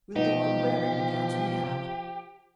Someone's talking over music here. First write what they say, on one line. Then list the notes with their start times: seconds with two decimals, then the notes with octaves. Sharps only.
We'll go on wearing the gowns we have.
0.16 B2 E3 F3 B3 D#4 G4